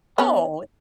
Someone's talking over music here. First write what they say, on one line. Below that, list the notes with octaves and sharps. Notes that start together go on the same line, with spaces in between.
Oh, it
B3 C#4